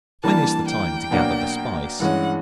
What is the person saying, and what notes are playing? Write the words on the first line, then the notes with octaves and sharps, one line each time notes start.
When is the time to gather the spice?
E3 G3 A#3 D4 A5
G5
B2 F#3 A#3 D4 F#4
G2 E3 G#3 C#4 F#5